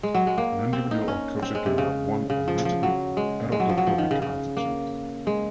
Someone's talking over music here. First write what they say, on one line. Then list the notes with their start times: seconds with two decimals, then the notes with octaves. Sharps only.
An individual or culture can have one or multiple erotophobic attitudes.
0.03 G#3
0.15 F#3
0.27 G#3
0.38 A#3
0.73 C4
0.91 D#4
1.08 C#4
1.42 C4
1.55 G#3
1.66 C3
1.78 C#3
2.30 C#3
2.48 F3
2.65 F3
2.83 F#3
3.17 G#3
3.52 G#3
3.60 F#3
3.69 F3
3.78 F#3
3.87 F3
3.98 D#3
4.11 C#3
4.22 C#3
4.57 A#3
5.27 G#3